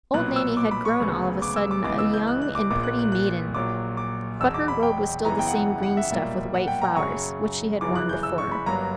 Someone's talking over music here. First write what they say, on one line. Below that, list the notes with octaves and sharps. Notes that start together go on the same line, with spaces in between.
Old Nanny had grown all of a sudden a young and pretty maiden; but her robe was still the same green stuff with white flowers, which she had worn before.
B1 A#2 F#3 B3 F#6
E6
D6
B5
C#6
D2 C#3 F#3 B3
D6
E6
D6
C#2 C#3 E3 B3 D6
E6
G6
F#6
F#6
D6
A#1 A#2 A#3 D6
F#6
F#6
F#6
A#1 A#2 F#3 A#3 D6
D6
E1 E2 B2 E6
D6
B5
G5
F#2 C#3 E3 B3 A#5
G5
F#5
G5
F#5
E5
B1 A#2 G3 A#3
F#5
G5
A#5
F#2 C#3 F#3 C#6
G1 F#2 C#3 E3 D6
F#6
G6
E6
C#6
B5
G1 G2 F#3 A#3 A#5